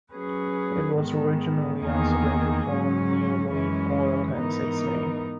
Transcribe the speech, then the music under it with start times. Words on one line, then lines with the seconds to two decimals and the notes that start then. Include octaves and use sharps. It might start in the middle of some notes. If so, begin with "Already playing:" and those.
It was originally isolated from neroli oil, hence its name.
0.13 F#3 C#4 G#4 B4
0.98 G#2 D#3 G#3 B3
1.83 E2 D#3 A#3 D#4 G#4
2.68 G#2 F#3 C#4
3.51 F#2 E3 G#3 C#4
4.36 G#2 E3 B3 D#4 A#4